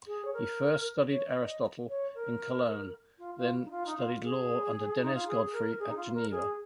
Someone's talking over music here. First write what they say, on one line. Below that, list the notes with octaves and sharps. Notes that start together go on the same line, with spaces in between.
He first studied Aristotle in Cologne, then studied law under Denis Godefroy at Geneva.
G#4
C#5
A#4
C#5
D#5
C#5
D#5
C#5
A#4
F4
F4
D#4
F4
D#4
F4
G#4
D#4
F4
G#4
A#4
G#4
D#4
F4
A#4
G#4